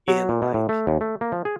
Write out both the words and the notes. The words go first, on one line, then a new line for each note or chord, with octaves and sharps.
in, like
F#3
A#2
B2
A2
A3
D#2
A3
A#3
F3
G#4